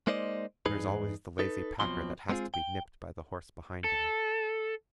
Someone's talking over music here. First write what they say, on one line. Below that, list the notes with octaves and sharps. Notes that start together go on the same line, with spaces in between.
There is always the lazy packer that has to be nipped by the horse behind him.
G#3 A#3 D#4 C5 D5 D#5
E2 G2 D#4 G#4 B4
D#4 A4 B4
B1 B2 F3 C4 C6
G#3 B3 C4 D#4 F4 G#4
G5
A4